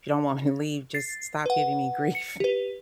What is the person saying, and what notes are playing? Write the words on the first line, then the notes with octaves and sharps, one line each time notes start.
"If you don't want me to leave, just stop giving me grief
A6 C7
B4 F#5
C#7
G4 B4